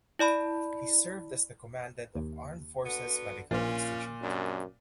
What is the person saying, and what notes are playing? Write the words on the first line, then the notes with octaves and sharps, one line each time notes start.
He served as the Commandant of Armed Forces Medical Institute.
E4 D5 A5 B5
D#2
D3 B3 F#4
A#1 A#2 C#4 F4
F#2 C3 D4